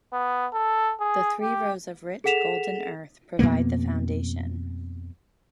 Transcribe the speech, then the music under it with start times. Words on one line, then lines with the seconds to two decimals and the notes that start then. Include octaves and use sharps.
The three rows of rich, golden earth provide the foundation.
0.13 B3
0.53 A4
1.00 G#4
1.41 G4
2.24 G#4 A4 F#5 B6 E7 F7
3.39 F2 B2 A#3 B3